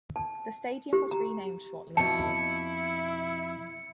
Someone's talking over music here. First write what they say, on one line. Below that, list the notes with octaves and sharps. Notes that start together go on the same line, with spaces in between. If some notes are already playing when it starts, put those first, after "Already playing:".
The stadium was renamed shortly afterwards.
A5
G4
A#5
F2 B2 E4 A5 C#7